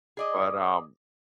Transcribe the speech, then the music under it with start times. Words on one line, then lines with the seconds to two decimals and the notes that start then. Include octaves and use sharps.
But, um
0.17 G#4 D5 D#5